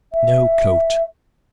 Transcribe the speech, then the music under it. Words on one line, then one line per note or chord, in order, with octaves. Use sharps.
No coat!
E5